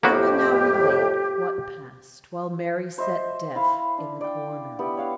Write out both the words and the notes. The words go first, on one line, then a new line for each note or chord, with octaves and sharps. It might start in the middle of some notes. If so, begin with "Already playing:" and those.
I will now relate what passed while Mary sat deaf in the corner.
F2 A2 A#3 B3 F#4 G4
C5 D#5 E5
E4 F5 B5
D4
D5 G5
B3 E4 G4
C#5 F5 F#5